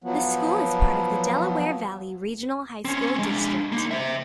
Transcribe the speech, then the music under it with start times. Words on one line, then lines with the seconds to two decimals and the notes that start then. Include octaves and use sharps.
The school is part of the Delaware Valley Regional High School District.
0.04 F3 F#3 B3
2.85 C4 C#4
3.19 G#3 D4
3.72 A#3 D#4
3.91 C5 E5